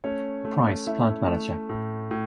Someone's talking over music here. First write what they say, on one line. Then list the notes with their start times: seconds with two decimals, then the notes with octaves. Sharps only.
Price, plant manager.
0.04 A3 C#4 C#5
0.45 A3
0.87 A3 E4 E5
1.28 A3
1.69 A2
2.11 A2